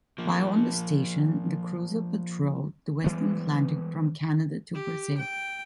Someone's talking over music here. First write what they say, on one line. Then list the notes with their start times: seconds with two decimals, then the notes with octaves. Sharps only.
While on the Station, the cruiser patrolled the western Atlantic from Canada to Brazil.
0.18 F3 A#3
3.04 E3 G3 G#3 B3
4.75 G4
5.18 G5